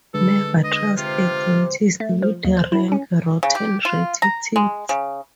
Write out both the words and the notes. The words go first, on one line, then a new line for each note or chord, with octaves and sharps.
Never trust a dentist with rank, rotten, ratty teeth.
D3 G#3 A4 B4
D#5
C3 F4
A3
F3
D#2
C5
E4
C#4
C#3
G4
F4
A#5
G#3
C#3